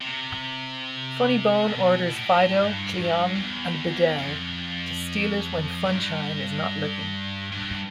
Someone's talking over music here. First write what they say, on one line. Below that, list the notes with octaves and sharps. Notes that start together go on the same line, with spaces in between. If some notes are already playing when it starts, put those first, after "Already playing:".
Funnybone orders Phido, Cleon, and Bidel to steal it when Funshine is not looking.
C3
B2
A2
G2
G2
E2
F2
G2
G2